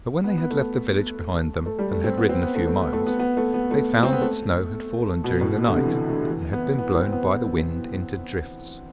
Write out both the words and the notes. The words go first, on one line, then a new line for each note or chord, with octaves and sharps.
But when they had left the village behind them, and had ridden a few miles, they found that snow had fallen during the night, and had been blown by the wind into drifts.
B3
B3
A3
A3
G3
A3
C4
B3
C4
B3
A3
A3
B3
A3
B3
B3
A3
B3
A3
C4
B3
A3
B2
A2
B2
D3
C3
E3
D3
D3
E3
B3
B3
C4
B3